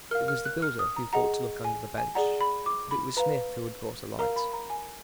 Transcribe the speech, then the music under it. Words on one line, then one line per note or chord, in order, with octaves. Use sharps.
It was the builder who thought to look under the bench, but it was Smith who had brought a light.
A#4 F5 F6
F6
F#6
F6
D#6
A#5
G#4 D#5 F#5 A#5
G#5
G#5
G#4 D5 F#5 A#5
B5
D6
B5
B4 F5 A#5
A#4 F5 A#5
B5
A#5
G#5